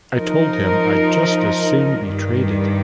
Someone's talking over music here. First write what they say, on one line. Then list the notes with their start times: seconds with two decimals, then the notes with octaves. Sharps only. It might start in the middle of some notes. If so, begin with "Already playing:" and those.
I told him I'd just as soon be traded.
0.14 F3 D#4 A#4
2.03 G2 D#3 G3